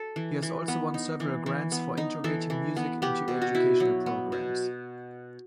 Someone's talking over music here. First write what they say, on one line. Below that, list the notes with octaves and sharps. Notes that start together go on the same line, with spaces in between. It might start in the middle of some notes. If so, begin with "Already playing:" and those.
He has also won several grants for integrating music into education programs.
Already playing: A4
E3
E3
B3
D#4
E3
E3
B3
D#4
E3 A4
E3
B3
B3 G4
B2
F#4
E4
F#3
B3
B2